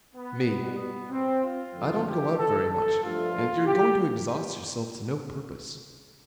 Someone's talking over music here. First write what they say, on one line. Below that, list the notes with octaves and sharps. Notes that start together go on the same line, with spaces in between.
ME: I don't go out very much, and you're going to exhaust yourself to no purpose.
B3
B2 G3
B3
C4
F4
F2 D3 F3
G4
A4
A4
G2 F3 A3 F4
G4